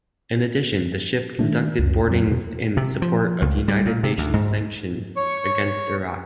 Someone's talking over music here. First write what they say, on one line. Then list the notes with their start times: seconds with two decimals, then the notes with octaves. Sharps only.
In addition, the ship conducted boarding's in support of United Nations sanctions against Iraq.
1.39 D#3 F#3 A3 D4
1.79 C#2 F#2
2.08 F2 F#3
2.27 E2 B2
2.77 C3
3.02 F3
3.42 C#2
3.68 G3
3.86 A#2
4.03 C3
4.18 D2
4.34 G#2
5.16 C#5 C#6